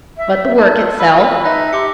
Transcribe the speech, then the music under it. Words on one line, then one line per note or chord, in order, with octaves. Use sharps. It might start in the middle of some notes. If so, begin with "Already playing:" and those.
"But the work itself?"
E5
D#4 A5
F4 E6
B4 E6
D#4 E5 F#6 A#6
G4 C6 D6 C#7